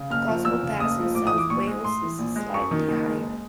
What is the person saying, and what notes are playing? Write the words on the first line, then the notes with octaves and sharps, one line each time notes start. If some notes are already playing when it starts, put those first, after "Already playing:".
Gospel Pass in south Wales is slightly higher.
Already playing: C#3
F#1 F6
F3
E2 E6
C#3
F#1 D#6
F3
A2 D6
D#6
E3
D6
A#1 C#6
G#3
A2 C6
E3
A#1
G#3
F#2 C#6
D#3
F#1
G#3